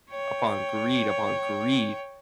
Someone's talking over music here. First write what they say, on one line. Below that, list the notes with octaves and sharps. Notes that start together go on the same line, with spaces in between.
upon greed, upon greed,
C#5 G5